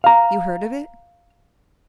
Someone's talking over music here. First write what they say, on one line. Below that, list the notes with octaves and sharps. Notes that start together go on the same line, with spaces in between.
You heard of it?
F5 A#5